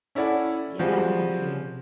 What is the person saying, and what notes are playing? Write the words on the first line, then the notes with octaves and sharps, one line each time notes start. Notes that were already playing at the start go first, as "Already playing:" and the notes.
Yeah, me too.
C#4 E4 A4 D5 F#5
F3 G3 C4 F#4 G#4